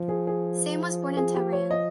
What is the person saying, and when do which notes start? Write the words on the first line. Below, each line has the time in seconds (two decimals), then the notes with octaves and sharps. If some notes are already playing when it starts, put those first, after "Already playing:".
Sam was born in Tehran.
Already playing: F3
0.09 G#4
0.27 G#4
1.17 G#4
1.35 G4
1.53 C#5
1.71 D#5